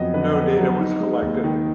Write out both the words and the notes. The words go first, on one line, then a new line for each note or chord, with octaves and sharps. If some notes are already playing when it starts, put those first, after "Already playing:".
No data was collected.
Already playing: F2 F#3 B3 D#5
D3 B4
B3
F#3
D#4
G#3
D#2
D#3